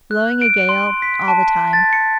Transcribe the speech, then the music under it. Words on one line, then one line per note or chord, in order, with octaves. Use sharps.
Blowing a gale all the time.
F#6
D7
C6
B6
A5
A6
C#7